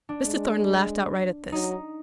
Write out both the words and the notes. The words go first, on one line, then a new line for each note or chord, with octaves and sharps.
Mr. Thornton laughed outright at this.
D4
G#3
F#3 D#4